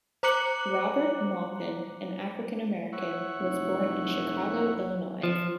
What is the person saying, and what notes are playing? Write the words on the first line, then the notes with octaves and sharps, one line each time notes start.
Robert Maupin, an African-American, was born in Chicago, Illinois.
C5 A#5 D6 F#6 C#7 F#7
E4 C#5 F#5
F1
F3